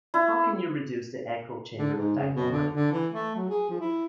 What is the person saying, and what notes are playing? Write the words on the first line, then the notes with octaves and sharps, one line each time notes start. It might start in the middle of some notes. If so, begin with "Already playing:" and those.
How can you reduce the echo chamber effect online?
E4
D3
G#2
C#3
B2
D3
D3
E3
A3
F#3
G#4
F3
E4